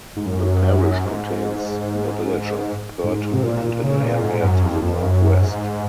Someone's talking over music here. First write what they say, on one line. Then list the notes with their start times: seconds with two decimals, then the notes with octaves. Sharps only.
The parish contains the village of Perton and an area to the northwest.
0.17 G#2
0.26 F#2
1.05 G#2
3.04 G#2
3.34 C3
3.43 A#2
3.64 A#2
3.83 C#3
4.03 A#2
4.23 G#2
4.42 F#2
4.63 F2
4.82 F2
5.02 F#2
5.42 G#2